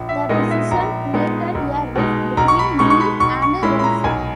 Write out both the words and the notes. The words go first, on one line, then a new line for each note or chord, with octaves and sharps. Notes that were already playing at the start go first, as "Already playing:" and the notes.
The decision created a rift between Mead and Rentschler.
Already playing: A#1
E5
A#2 G#3 B3 D#4 D#5
E5
A#1 A#5
A#2 G#3 B3 D#4
B1
B2 G#3 D#4
B1 A#5
C#6
B5
B2 G#3 D#4 C#6
C#6
B5
B1 C#6
C#6
A#2 G#3 C#4 E4 B5
B5
A#5
B1 G#5